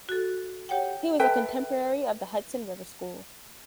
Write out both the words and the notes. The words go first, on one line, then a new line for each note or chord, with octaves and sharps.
He was a contemporary of the Hudson River School.
F#4 A4
G4 C#5 F#5 G5
A4 B4 E5 G5